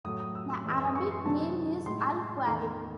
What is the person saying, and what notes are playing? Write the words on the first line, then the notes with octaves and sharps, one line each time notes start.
The Arabic name is Al-Quwarib.
A2 F#3 A3 D#6
D#6
E6
E6
F#2 E3 G#3
E6
D#6
C#6
C6
C3 D#3 F#3 A5
A2 G#3 C6
E2 D#3 A3